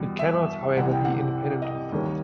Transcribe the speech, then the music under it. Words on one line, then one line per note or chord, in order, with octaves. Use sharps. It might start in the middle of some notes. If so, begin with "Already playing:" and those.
It cannot, however, be independent of thought.
Already playing: E2 B2 G3
E5
C2 C3 E3 F#5
G5
F#5
D#5
D#2 D#3 G3